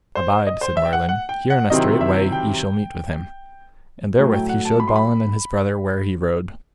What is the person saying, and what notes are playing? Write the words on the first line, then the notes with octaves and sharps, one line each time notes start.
Abide, said Merlin, here in a strait way ye shall meet with him; and therewith he showed Balin and his brother where he rode.
C5
D#5
C5
E5
G5
F#5
F#5
G5
F#5
C3 D#3 F#3 C4 E4 D#5
E5
G5
A2 F#3 A3
G5
F#5
A5
B5
C6
B5